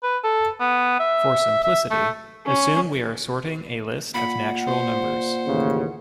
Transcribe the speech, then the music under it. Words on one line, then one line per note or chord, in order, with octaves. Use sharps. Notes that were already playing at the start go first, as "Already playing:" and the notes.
For simplicity, assume we are sorting a list of natural numbers.
B4
A4
B3
E5
E5
A3
C#4
A#2 F#5 B5
C5
A1 D#2 C#3